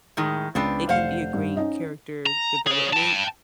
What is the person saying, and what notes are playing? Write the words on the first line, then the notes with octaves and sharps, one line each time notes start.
it can be a great character development
A2 D#3 G#3
C#2 B3 C4 D4 B5
F1 C5 F5 F#5
G2
C#4 D#4 D#5
A#5
G#4 C#5
G5 A5